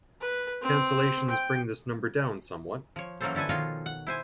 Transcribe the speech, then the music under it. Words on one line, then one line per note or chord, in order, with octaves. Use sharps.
Cancellations bring this number down somewhat.
B4
C4
G5
F3 C#5
E3 F#3 A#3 C#4 A4 C5
D3 E4 A4 B4 G#5
B2 D#3 F3 F4 C#5 D#5
F#5
E4 C5 G#5